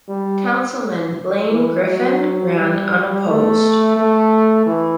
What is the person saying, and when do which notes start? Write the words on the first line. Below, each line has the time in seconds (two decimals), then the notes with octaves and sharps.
Councilman Blaine Griffin ran unopposed.
0.08 G3
1.50 E3
1.85 F#3
2.55 G3
3.26 A3
3.96 A3
4.66 E3